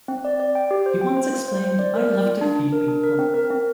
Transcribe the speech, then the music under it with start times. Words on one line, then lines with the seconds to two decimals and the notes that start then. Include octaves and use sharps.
He once explained, I love to feed people.
0.08 C4
0.25 D5
0.40 D5
0.55 G5
0.71 G4
0.86 C5
1.01 G5
1.17 C5
1.33 F4
1.48 C5
1.64 C5
1.79 D5
1.95 A#4
2.10 D5
2.26 F4
2.41 D4
2.56 D4
2.72 A#4
2.88 D4
3.04 A#4
3.19 C4
3.34 A#4
3.51 C4